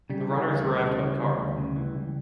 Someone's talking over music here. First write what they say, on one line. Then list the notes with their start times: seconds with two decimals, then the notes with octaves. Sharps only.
The runners arrived by car.
0.10 C#3 G3
0.28 E3
0.47 D2
0.65 D2
0.83 C#3
1.02 E3
1.20 D2
1.39 D2
1.57 C#3
1.76 E3
1.95 C#2